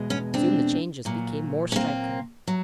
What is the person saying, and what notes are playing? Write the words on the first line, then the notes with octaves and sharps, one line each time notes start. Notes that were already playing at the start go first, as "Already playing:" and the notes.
Soon the changes became more striking.
Already playing: E2 B2 G#3
B3 C#4
C4 D4
A#2 F#3
C#4
A#3 C4
F#3